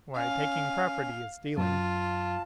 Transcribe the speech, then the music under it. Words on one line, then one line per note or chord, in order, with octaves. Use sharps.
"Why, taking property is stealing."
C#4 F5
F#2 F4 A5